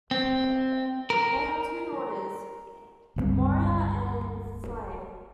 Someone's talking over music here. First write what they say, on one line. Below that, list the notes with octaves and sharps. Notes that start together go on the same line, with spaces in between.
They had two daughters, Moira and Shelagh.
C4
A#4
G1 C#2 G2 C4